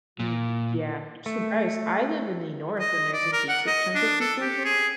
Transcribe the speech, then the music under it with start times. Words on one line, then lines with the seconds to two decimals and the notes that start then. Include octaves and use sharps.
Mm, yeah, I'm surprised, I live in the North, and there's a decent chunk of people who
0.20 A#2
1.26 A3
2.79 D#5
3.13 D5
3.32 A#4
3.49 F#5
3.67 D#5
3.95 D4
4.20 A4
4.41 G4
4.64 G#4